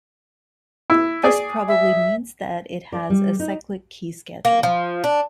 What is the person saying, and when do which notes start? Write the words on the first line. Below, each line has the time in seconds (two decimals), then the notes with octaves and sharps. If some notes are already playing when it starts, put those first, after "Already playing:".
This probably means that it has a cyclic key schedule.
0.90 E4
1.23 G#4 D5 G#5
1.68 E5
2.92 D5
3.10 G3
3.40 D#4
4.45 A#3
4.63 F3
5.04 D4